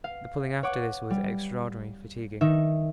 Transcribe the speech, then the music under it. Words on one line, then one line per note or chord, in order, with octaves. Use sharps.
The pulling after this was extraordinarily fatiguing.
F5
C#5 F#5 D6
G3
D#3 D#4 E5